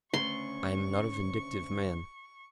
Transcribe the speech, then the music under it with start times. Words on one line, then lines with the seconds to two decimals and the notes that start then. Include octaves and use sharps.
I am not a vindictive man.
0.14 D2 C#3 B3 C6 C#6